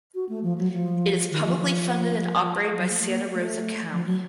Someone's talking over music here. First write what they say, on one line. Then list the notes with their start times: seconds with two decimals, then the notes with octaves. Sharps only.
It is publicly funded and operated by Santa Rosa County.
0.15 F#4
0.29 A3
0.43 F3
0.58 F#3
0.73 F3
1.31 D#3
1.46 F3
1.60 F3
2.76 F#3
2.90 A3
3.05 A#3
3.34 A3
3.92 F3
4.05 F#3